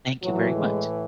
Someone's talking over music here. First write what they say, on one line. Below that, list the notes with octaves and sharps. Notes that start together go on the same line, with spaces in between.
Thank you very much.
A2 E3 F#3
G#3